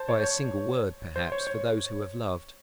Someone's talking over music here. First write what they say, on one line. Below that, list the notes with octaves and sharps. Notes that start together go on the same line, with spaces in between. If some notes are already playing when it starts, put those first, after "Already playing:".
By a single word, perhaps, for those who have loved.
Already playing: C5 A5
C#5
C#5
C5
C#5
C#5